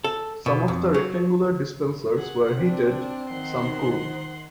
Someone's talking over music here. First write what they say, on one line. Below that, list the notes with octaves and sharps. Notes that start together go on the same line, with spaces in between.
Some of the rectangular dispensers were heated, some cooled.
A4
B2
F2
F#3
G#4 F#5
C4 D4
D#3 C5 F#5 C6